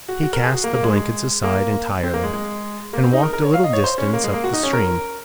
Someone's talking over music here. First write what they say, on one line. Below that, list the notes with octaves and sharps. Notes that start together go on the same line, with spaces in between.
He cast the blankets aside entirely and walked a little distance up the stream.
F#4
F#4
A#4
G#4
F#4
A#3
A#3
G#3
A#3
C4
A#3
G#3
G#3
A#3
C4
D#4
A#4
A#4
C#5
F5
D#5
C#5
C5
C#4
A#3
G#3
A#3
F#4
D#4
C#4
A#4